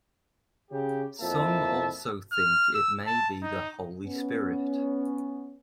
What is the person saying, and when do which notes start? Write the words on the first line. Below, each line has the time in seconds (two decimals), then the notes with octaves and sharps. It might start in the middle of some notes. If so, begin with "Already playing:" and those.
Some also think it may be the Holy Spirit.
0.71 C#3 G4
1.20 F2 A#3 E4 E5 A5
2.33 F6
2.75 E6
3.07 A5
3.42 D#4
4.04 B3 C#4